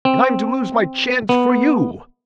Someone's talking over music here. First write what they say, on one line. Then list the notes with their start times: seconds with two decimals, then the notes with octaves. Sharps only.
And I'm to lose my chance for you!
0.05 C4
1.29 B3